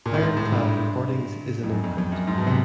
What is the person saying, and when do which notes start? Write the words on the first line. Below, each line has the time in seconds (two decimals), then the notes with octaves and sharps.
IronClad Recordings is an imprint.
0.06 A#2
0.14 A2
0.22 G#2
0.37 A2
0.51 G2
1.63 F2
1.69 F#2
1.84 F2
1.98 F2
2.12 F#2
2.27 G#2
2.37 B2
2.47 C3